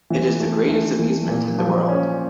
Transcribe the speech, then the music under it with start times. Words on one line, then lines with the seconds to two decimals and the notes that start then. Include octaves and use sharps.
It is the greatest amusement in the world!
0.10 E3
0.40 A3
0.69 A3
0.99 E3
1.28 A#2
1.58 F3
1.89 C#4